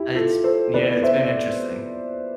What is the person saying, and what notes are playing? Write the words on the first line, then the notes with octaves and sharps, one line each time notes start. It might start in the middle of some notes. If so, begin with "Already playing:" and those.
it's yeah, it's been interesting.
Already playing: E4 G4
F4 A4
A4 C5
C3 E3 B3 D4 B4 D5
C5 E5
E5